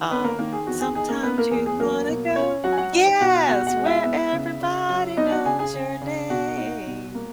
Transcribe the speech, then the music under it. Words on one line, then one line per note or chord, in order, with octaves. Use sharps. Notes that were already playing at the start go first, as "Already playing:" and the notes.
Um, "Sometimes you wanna go" Yes, "Where everybody knows your name."
Already playing: D#3
B3 C#4 B4
A#3 A#4
D#3 A#3 A#4
G#4
E2 F#4
G#4
D#4 G#4
A#3 A#4
A#3 B3 B4
A#3 A#4
E2 G#4
G#4
F#3 A#3 A#4
B2
C#4 C#5
F#3 F#4 F#5
G#5
F#4 F#5
D#4
B2 F#4 F#5
B2 F#4 F#5
F#4 F#5
G#3
E4 E5
B3
C#3
C#3
F#3
B3 D#4 D#5
F#4 F#5
C#3 G#4 G#5
G#4 G#5
C#3
C#3
B2 F#4 F#5
D#4
B2
A#3